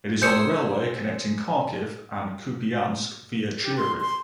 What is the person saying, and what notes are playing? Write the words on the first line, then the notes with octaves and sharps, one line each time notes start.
It is on the railway connecting Kharkiv and Kupiansk via Chuhuiv.
G#4 C5 E5 G6 C#7
G4
C6
C6